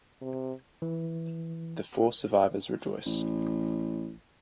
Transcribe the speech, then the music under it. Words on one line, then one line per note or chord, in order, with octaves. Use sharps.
The four survivors rejoice.
C3
E3
A1